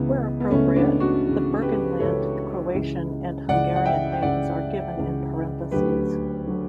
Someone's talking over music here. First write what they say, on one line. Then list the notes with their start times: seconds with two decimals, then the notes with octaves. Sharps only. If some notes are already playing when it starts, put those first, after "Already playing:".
Where appropriate, the Burgenland Croatian and Hungarian names are given in parentheses.
Already playing: C#2 C#3 E3 B3
0.40 B3
0.50 C#2 C#3 E3 A3 C#4
0.76 B3 D4
1.00 D4 F#4
1.25 C#2 C#3 E3
1.62 G4 B4
1.99 C#2 C#3 E3 A4 C#5
2.74 C#2 C#3 E3
3.49 C#2 C#3 E3 D5 F#5
3.76 F#5
3.85 E5 G5
4.12 G5
4.22 C#2 C#3 E3 D5 F#5
4.97 C#2 C#3 E3
5.71 D2 D3 F#3 G4 B4
6.47 D3 F#3